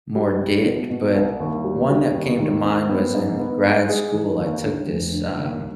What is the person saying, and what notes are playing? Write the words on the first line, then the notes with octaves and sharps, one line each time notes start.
more did, but one that came to mind was in grad school, I took this, um,
G3
C2
B2
B2
C2
D#2
G3
G3
D#2
D#3
C4
B3
G#2
B3
G#2
G#3
E3
D#2
D3
F1
D3
D#2